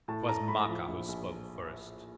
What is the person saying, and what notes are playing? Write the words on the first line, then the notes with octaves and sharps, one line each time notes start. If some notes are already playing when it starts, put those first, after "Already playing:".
'Twas Maka who spoke first.
A2 A5
A3 A#5
A2 B5
F3
A#1
A#1